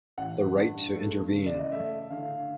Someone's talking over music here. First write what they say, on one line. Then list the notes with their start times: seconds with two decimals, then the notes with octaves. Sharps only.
The right to intervene.
0.17 A1 F#5
0.56 G2
0.94 A3
1.33 C#3
1.46 D5
1.59 D#5
1.72 A3 E5
2.10 D3 F5